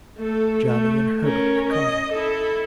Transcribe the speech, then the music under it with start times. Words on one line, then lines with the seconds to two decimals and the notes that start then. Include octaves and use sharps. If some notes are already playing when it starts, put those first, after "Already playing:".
Johnny and Herbert are coming.
0.18 A3 A4
0.64 A3
1.23 C#4 A#4
1.72 D#5
2.12 E4 A4